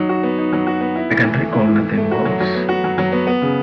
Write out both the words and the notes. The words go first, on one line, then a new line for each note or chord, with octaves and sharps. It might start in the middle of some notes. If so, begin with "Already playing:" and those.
I can recall nothing worse.
Already playing: F#3 D#4
F#4
B3
D#4
F#3
F#4
B3
E4
E3
E3
A3
E4
E3
E3
A3
F#4
F#3
F#3
B3
F#4
F#3
F#3
B3
B3
C#3